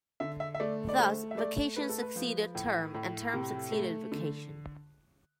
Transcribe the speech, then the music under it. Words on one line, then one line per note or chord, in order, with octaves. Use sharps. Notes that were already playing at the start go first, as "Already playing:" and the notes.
Thus, vacation succeeded term, and term succeeded vacation.
D3 E5
E5
E5
A3 D5
D5
A3 C5
E5
A3 D5
A3 B4
A4
B4
F3
A2
A2
C3
A3
D3